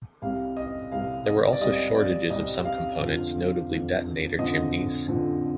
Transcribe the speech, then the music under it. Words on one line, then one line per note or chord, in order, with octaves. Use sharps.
There were also shortages of some components, notably detonator chimneys.
C2 C3 G3 F5
D#5
C2 C3 G3 F5
D#5
D5
C2 C3 G3 D#5
D5
C2 C3 G3 D#5
F5
F2 D3 F3
F2 D3 F3
F2 D3 F3 D#5
F2 D3 F3